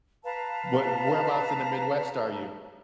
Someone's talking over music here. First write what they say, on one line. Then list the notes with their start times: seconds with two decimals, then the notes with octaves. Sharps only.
but whereabouts in the Midwest are you?
0.24 B4 F5 A5 A#5